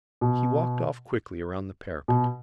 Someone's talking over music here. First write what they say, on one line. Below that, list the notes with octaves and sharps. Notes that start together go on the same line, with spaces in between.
He walked off quickly round the parapet.
B2
B2